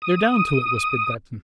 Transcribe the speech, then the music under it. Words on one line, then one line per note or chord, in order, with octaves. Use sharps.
"They're down to it!" whispered Breton.
D#6